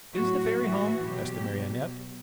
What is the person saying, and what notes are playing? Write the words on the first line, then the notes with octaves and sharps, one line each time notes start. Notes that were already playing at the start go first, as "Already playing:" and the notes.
"Is the Fairy home?" asked the Marionette.
A2 F#3 F#4
A2 E3 F#4
B2 F#3 G4
B2 F#3